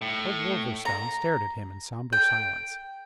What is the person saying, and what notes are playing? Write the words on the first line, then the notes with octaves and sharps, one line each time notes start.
Old Wolverstone stared at him in sombre silence.
A2
A#5
G5